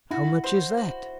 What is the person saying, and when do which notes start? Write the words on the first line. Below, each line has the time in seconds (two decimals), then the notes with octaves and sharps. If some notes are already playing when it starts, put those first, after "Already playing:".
"How much is that?"
0.11 E4 F#4
0.44 C5
0.78 F#4